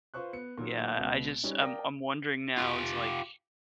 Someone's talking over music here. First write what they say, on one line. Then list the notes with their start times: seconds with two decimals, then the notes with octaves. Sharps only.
Yeah, I just I'm I'm wondering now, it's, like,
0.14 F4 B4 C5 C#6 F#6
0.33 B3 C#7
0.58 A#2 D#3 F#3
0.96 C#2 B2
1.43 G3 C#4 D#4
1.60 A#4 D5 F5 G5 D#6 A#6
2.57 F4 G4